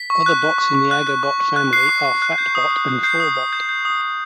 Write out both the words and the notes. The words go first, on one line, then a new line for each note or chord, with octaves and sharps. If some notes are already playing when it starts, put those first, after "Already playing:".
Other bots in the Agobot family are Phatbot and Forbot.
Already playing: B6
C#6
F#6
F#6
C#6
C#6
F#6
F#6
C#6
C#6
F#6
F#6 C7
C#6
C#6
F#6
G6
D#6
D#6
G6
G6 C7
D#6
D#6
G6
G6
D#6
D#6